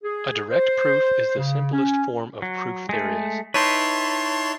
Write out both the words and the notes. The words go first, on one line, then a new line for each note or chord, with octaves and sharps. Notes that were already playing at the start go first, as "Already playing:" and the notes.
A direct proof is the simplest form of proof there is.
G#4
C5
C#3
C#4
F#3
G#3 A3
D#4 E4 B4 C#5 A5 C6